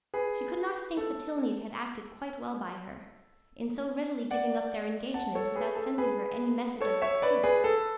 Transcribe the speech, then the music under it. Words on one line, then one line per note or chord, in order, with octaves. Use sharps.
She could not think the Tilneys had acted quite well by her, in so readily giving up their engagement, without sending her any message of excuse.
G#4 B4
A4
D5 F#5
F#5 A5
A4 C#5
G#4 B4
A4
G#4 B4
A4 C#5
C#5 E5
B4 D5
G#4 B4
A4